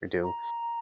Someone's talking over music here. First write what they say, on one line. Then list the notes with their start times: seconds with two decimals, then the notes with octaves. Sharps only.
We do.
0.23 A#5